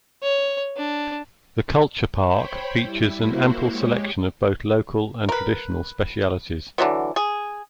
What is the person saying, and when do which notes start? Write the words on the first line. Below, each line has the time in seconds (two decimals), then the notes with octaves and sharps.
The Culture Park features an ample selection of both local and traditional specialities.
0.23 C#5
0.77 D4
2.27 C5 C#5 G5 B5
2.80 G3 E4
3.20 A#3 E4 F#4 C5
3.64 G#3 G4 C#5
5.29 A#4 B4
6.78 D3 E3 F#3 B3
7.16 G#4